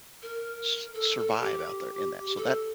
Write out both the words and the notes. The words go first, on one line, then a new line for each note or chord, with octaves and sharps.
s survive out there in that?" So that,
A#4
A4
A4
G4
A4